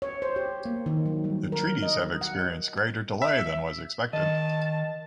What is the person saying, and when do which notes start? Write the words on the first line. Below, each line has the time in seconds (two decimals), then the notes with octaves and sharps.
The treaties have experienced greater delay than was expected.
0.02 C#5
0.22 C5
0.36 G4
0.65 A#3
0.86 D#3
1.06 F#3
1.24 G3
1.52 A#4
1.82 D#5
2.21 F#5
3.22 E5
4.13 D#3 D#5 A5